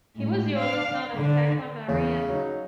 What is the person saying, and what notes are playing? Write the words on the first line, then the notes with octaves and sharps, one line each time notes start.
He was the older son of Takla Maryam.
A2 G#3
D4 F5
D3 D4
E2 C#3
F#3 D#4